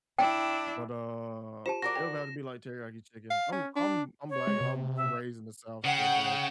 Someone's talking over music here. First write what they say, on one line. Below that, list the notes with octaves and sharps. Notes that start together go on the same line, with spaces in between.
but, uh, it would have to be like teriyaki chicken, I'm I'm I'm black and I'm raised in the South, so it's like,
D4 E4 G5
F4 G4 C5 A5 E7
F#4 A#4 D5 C#6 A#6
G5
F5
C#4
D4
C#5
G#3
C3
E5
C#3 F#5 G5